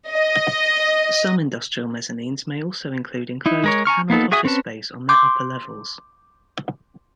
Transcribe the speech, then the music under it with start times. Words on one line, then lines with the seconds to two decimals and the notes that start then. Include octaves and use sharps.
Some industrial mezzanines may also include enclosed, paneled office space on their upper levels.
0.11 D#5
3.46 D#4 E4
3.64 G#3 A#4 C#5
3.85 G#5 A#5 C#6 F6
4.10 A#3 B3 D#4 A4
4.31 F#4 G#4 E5 G#5 D#6
4.45 C4 C#4 B4 A5
5.09 C6 D6 G6